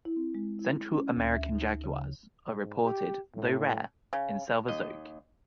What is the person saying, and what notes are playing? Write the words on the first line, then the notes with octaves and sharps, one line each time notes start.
Central American jaguars are reported, though rare, in Selva Zoque.
E4
C4
G#3
E4
C#4
D2
E5
D#4
C#3
G#2
G4
A2
C#3
D#2 D#5